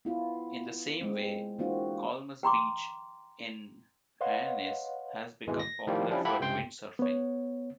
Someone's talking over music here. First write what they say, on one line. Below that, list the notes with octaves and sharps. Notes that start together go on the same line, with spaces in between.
In the same way Kalmus Beach in Hyannis has become popular for windsurfing.
B3 E4 F4
G#3 C4
E3 A#3 C4 D4 F4 F#4
G5 A#5 C6 D6
B4 C#5 D#5 F5 F#5 C6
G#1 D#2 B2 E3 G#3
A#6
A2 D#3 F3 G3 A#3 F4
F3 G3 C#4 D4 E4
E4 F4 G4 A4 F#5 B5
C#2 G2 C3 G5 C6
B3 C#5